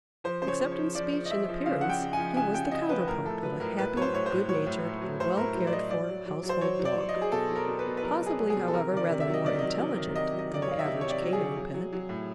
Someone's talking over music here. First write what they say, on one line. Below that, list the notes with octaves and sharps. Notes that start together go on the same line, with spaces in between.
Except in speech and appearance he was the counterpart of a happy, good-natured, and well-cared-for household dog--possibly, however, rather more intelligent than the average canine pet.
F3 C5
C#3 C5
C#5
F3
C#5
F3
F3 D5
F3
D#5
F3 E5
F3
C#3 F5
F3 F#5
G5
C#3
G#5
F3
C#3 G#5
C#3 G5
C#3 D#5
F3 B4
A2 A#4
A2 A4
F#3 B4
A2 A#4
A2 B4
F#3 C#5
C5
A2 C#5
A2 C5
F#3 C#5
A2
A2
F#3
A2 C5
A2 A#4
F#3
D5
F#3 D#5
F#3 D5
F#3
F#3
F#3
C5
F#3 C#5
F#3
D5
F#3
D#5
F#3
G#4
B2 A4
F#3
A#4
B2
B4
B2
B4
F#3 A#4
B2
G#4
F#3
G#4
B2
A4
C3 A#4
D#3 D5
C3
E5
F#3
D#5
D#3 D5
F#3 D#5
F#3
D#3
C3 D#5
F#3
D#5
C3 D5
C#5
D#3 F5
E5
C3 D#5
C3 C#5
D5
F#3
G#4
F#3
F#3
F#3
F#3
A2